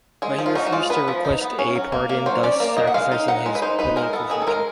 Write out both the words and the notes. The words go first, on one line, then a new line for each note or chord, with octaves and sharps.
But he refused to request a pardon, thus sacrificing his political future.
G#3 G#4
F3
F4
D#4 F#4
F#4
G#3 F4
B3 B4
F3
D#4
B3
C#4
F#3
A#3
A#3
F#3 C5
C#4 D5
A#3 D5
A#3 D#5
F#5
G#3 F5
D#4
D#4 F#5
G#3
B4
D#4 C5
D#4 B4
G#3 A#4
B3 A4
D#3 G#4
A4
G#3 A#4